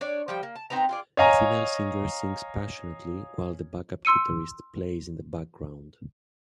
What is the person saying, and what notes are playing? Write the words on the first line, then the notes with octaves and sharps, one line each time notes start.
A female singer sings passionately while the backup guitarist plays in the background.
D4 C#5 D5
F3 G3 G5
A#3
A5
C4 D#4 B4 A#5
F4 G#4 D5
C#5 D#5 F5 G#5 A#5
C6 E6 C#7 D#7